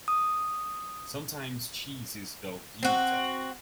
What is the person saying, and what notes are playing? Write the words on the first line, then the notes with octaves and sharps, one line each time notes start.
Sometimes cheese is Velveeta.
D#6
C4 F#4